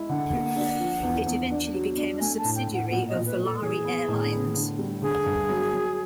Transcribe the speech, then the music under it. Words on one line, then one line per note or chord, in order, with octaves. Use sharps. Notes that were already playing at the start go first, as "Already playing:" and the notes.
It eventually became a subsidiary of Volare Airlines.
Already playing: G#3 E4
D3 F#5
A#3
D4
F3
E2
E2
D4
F#3
D4
A3 G#5
A5
A2
G5
A2
F#5
A#2 F#5
D#5
A#2
B4
A#2
A4
E3 G#4
B3
A2
B3
D3
G3
D3 G#4
G2
F#3
F#3